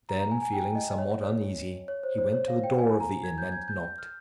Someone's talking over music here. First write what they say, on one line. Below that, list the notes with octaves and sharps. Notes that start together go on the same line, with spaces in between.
Then, feeling somewhat uneasy, he went to the door of the inn and knocked.
A#5
A#5
G#5
G#5
G5
D#5
D#5
C#5
C#5
C#5
C5
C5
C#5
F5
G5
G#5
G#5
A#5
G#6
G6
G#6
G6
G6
F6